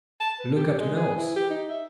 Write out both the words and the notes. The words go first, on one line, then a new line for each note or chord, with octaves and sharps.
Look at Mills!
A5
B4
G4
G#3
G#4
E3
G4
D#4
E5